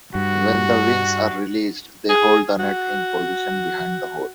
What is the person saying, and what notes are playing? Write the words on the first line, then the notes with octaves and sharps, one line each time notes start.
When the wings are released, they hold the nut in position behind the hole.
G2 F#4
G#4
F#4